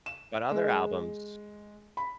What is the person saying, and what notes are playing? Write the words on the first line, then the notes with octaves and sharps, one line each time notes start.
But other albums,
E7
G#3
B5